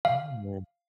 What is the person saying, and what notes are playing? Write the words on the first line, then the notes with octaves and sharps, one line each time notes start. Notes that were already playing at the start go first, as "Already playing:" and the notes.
Oh, man.
F5